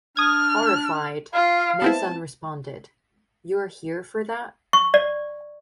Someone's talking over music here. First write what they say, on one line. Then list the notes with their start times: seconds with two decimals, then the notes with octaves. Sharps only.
Horrified, Mason responded, You're here for that?
0.17 D4 D#6 F6 G#6
1.34 F4 F5
1.82 B3 C4 E4 A5
4.73 C#6
4.94 D5